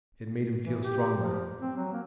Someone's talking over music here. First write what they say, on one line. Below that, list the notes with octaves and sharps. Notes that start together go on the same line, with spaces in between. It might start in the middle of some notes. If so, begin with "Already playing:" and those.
It made him feel stronger.
E3
G4
F3
C4
F#3
A#3